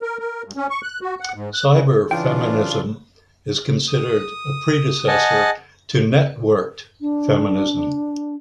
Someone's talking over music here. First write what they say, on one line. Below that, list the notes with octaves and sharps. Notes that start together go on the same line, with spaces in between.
Cyberfeminism is considered a predecessor to networked feminism.
A#4
A#4
G2
C#4
C#6
F#6
F#4
F#5
G#2
F#6
C#3
C#3 E3 D4 F4 G5
D#6
D#5 F#5 G#5 A5
D4